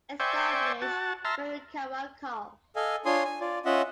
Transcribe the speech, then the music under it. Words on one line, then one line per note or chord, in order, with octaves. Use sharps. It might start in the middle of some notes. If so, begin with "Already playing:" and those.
Established Marukawa Conf.
C5 D5 E5 G5 G#5 C#6
F#4 A5
E5 A5 A#5 C6 F6
A4 D#5 F5 G#5
D4 F4 C#5 G#5 C6 D#6
G#5
F4 D5
C#4 F4 D#5 E5 F#5